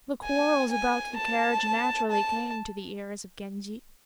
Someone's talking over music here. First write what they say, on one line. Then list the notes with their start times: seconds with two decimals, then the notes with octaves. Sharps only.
The quarrels about the carriage naturally came to the ears of Genji.
0.23 G#5
0.71 G#5
1.16 A5
2.10 A5